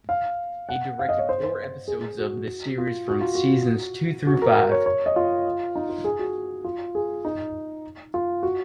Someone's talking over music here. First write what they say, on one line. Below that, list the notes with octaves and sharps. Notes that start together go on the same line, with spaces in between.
He directed four episodes of the series from seasons two through five.
F5
F#5
F5
D#5
C#5
C5
C5
G#4
F#4
F4
F#4
F4
F#4
F#4
A#4
A#4
C#5
C#5
D#5
F4
D#4
F4
G#4
F#4
F4
G#4
D#4
F4
F#4